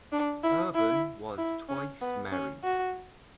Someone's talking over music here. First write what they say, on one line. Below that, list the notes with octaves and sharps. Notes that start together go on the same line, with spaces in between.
Urban was twice married.
D4
E4
E4
E4
C#4
B3
C#4
F#4